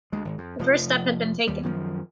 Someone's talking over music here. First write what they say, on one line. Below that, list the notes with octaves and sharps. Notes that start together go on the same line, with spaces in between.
The first step had been taken.
D2 G#3
G#1
F2
F1 F3
D#2 G3
F#2 D#3 F3